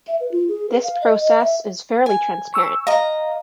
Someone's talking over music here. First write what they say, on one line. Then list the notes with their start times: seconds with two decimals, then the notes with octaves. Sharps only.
This process is fairly transparent.
0.08 E5
0.20 B4
0.32 F4
0.48 G#4
0.70 B4
0.83 F5
1.01 D#5
1.19 D#5
1.40 E5
2.06 G#5
2.54 C#6 E6
2.87 D#5 F5 A#5